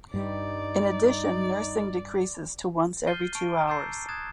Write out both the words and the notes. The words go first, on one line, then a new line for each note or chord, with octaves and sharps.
In addition, nursing decreases to once every two hours.
G2 G3 D#4 D5
F6 G6 A6 C7 D#7 G7
A5 C#6 D7
A#5 D6 E6 G6 A6 C7
D#6 F#6 G#6 A6 E7